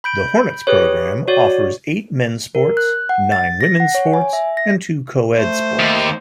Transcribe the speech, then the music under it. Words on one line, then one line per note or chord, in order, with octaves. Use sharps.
The Hornets program offers eight men's sports, nine women's sports, and two co-ed sports.
B5 G6 D7
G4 G#4 B4 C#5
F#4 C#5 D5
A#4
F#6
F#5
A6
A#6
F#5
C#5
G#5
E5
A#6
A3 C5
D#2